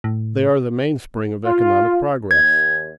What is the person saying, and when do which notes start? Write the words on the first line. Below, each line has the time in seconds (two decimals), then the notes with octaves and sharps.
They are the mainspring of economic progress.
0.04 A2
1.45 F4
2.31 D#2 G#6